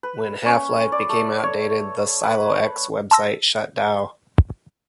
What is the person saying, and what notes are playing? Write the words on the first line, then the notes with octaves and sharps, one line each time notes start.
When "Half-Life" became outdated the "Silo X" website shut dow.
B4
C#4
D5
A3
C#5
B4
A5 C6 E6 A#6